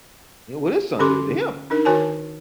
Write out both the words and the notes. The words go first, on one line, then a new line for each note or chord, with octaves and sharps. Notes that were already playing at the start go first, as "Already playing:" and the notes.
You know, what his son did to him
D3 C#4 G4 A4 C6 D6
D4 D#4 A#4
D#3 F#4 A#4 C#5 G#5 A5